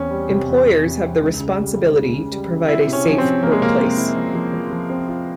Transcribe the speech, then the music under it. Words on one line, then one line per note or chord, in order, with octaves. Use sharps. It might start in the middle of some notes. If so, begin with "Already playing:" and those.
Employers have the responsibility to provide a safe workplace.
Already playing: E2 C4 C#4
G3
C3
E2
C3
C3
C4
C#2
C#3
G3
C#2
C#3
C#3
G3
C#3
C4 E4
C3
C#4
F3 C#4
C4
C3
F3 A#3
G#3
C3 A#3
C3
E4
F3
F3
F3
F3
C4
F4